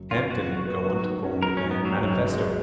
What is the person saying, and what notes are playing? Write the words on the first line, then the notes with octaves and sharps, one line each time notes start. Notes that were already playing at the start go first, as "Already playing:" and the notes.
Hampton would go on to form the band Manifesto.
Already playing: F#1 F#3
F#1 F4
F#2 F#4
F#2
B3
F#3
D#3
C#4
F#3 A#4
G#2 C#4
B3
G#2
F#3
F#1 F#3
F#1
G#3
F#3